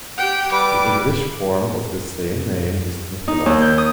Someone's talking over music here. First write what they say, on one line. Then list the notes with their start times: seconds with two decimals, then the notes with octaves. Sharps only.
The English form of the same name is Nicholas.
0.18 G4 F#5 G5
0.52 G3 B4 D6
3.28 D#4
3.46 D#2
3.62 G6
3.78 D#6